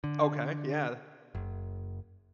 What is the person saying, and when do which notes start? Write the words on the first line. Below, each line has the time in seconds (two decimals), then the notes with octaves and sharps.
Okay, yeah.
0.04 D3
1.35 F#1